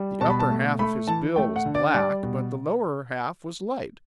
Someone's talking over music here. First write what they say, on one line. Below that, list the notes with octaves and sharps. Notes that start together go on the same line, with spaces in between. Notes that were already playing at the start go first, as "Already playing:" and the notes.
The upper half of his bill was black, but the lower half was light.
Already playing: G3
B2 A5
B5
A5
A3
A3 B5
E3 A5
A3 G5
F#5
D3
D5
G3 D5
B2